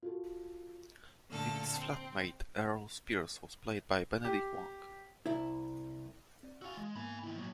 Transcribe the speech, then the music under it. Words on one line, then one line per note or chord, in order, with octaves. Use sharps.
Vince's flatmate Errol Spears was played by Benedict Wong.
F4 F#4 A4
A#2 D3 A3 A4 F6
C4
G4
C2 E4
C4 D5
F#4 F5 G#5 C#6 E6
E3 G#3
G#2 A#3 B3 G#5 B5
D#3 E4
A#2 F#3